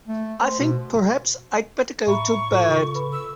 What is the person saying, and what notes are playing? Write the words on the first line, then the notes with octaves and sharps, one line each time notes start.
I think perhaps I'd better go to bed.
A3
C5
B2
A2 E5 A#5 B5 C#6
A2 F4 A4
C#3
A4 B4 B5
E6